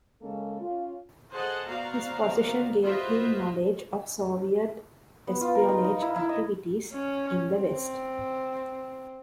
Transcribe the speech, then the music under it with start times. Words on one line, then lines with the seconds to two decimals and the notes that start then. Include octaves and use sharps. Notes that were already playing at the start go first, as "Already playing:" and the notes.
His position gave him knowledge of Soviet espionage activities in the West.
0.21 C#3 G#3 A#3 C#4 A4
0.60 C#4 F4
1.31 G#4 A4 C5 D#5 F#5 A5
1.67 B3 F#4 C5 D5 F5 A#5
2.84 F4 F#4 B4 C5 D#5 E5
5.27 B3
5.41 F4
5.55 A#4
5.68 D#4
5.84 D#4
6.02 E4
6.16 E4
6.29 D#5
6.93 C#4
7.53 C4